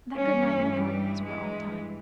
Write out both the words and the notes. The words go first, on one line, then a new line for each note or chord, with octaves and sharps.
That good night in the garden was for all time.
G2 E3 G3 C#4
G3
G#3